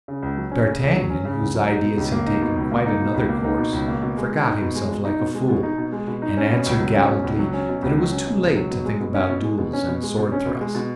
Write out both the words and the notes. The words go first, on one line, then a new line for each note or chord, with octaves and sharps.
But d'Artagnan, whose ideas had taken quite another course, forgot himself like a fool, and answered gallantly that it was too late to think about duels and sword thrusts.
C#3
C#2
F#3
C#4
C#3
C#2
F#3
C#4
C#3
C#2
F#3
D#4
B2
C#2
A#3
D#4
B2
C#2
A#3
D#4
B2
C#2
A#3
D#4
B2
C#2
A#3
B2
G#3
B2
D#4
B2
G#3
B2
D#4
B2
G#3
B2
D#4
B2
G#3
B2
D#4
C#4
B2
C#2
F#3
C#4
B2
C#2
F#3
C#4
B2
C#2
F#3
C#4
B2
C#2
F#3
B2
G#3
B2
C#4
B2
G#3
B2
C#4
B2
G#3
B2
C#4
B2
G#3
B2